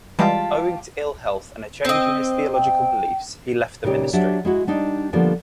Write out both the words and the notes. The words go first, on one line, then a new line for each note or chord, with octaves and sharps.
Owing to ill-health and a change in his theological beliefs, he left the ministry.
E3 G3 G#3 F4 G4 A5
C4 D#5
G5
A#2 C#3 D#4 G4
F#3 D4 G4 E5
G#3 E4 F#4
G3 D4 D#4
D3 F3 G3 A#3 B3 D4